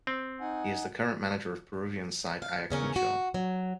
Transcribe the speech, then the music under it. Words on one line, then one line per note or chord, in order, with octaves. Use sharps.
He is the current manager of Peruvian side Ayacucho.
C4
D#4 F#5 G#5
F5
E2 C#3 C#4 A#4
F#4
F#3